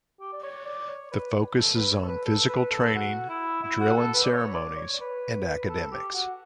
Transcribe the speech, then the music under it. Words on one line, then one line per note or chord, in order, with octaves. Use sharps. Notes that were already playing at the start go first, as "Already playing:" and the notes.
The focus is on physical training, drill and ceremonies, and academics.
G4
D5
C#5
D5
C#5
B4
A4
B4
C#5
A4
B4
A4
B4
A4
F#4
E4
E4
F#4
A4
B4
D5
C#5
D5
C#5
B4
A4
G4
F#4